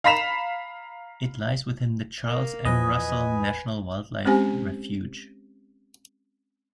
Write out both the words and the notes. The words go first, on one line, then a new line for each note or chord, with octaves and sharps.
It lies within the Charles M. Russell National Wildlife Refuge.
F5 A#5 B5 B6 E7 F7
A#3
E2 A#2 F3 B4 D#5 G#5
G#3 C4 C#4 G4 C5 G#5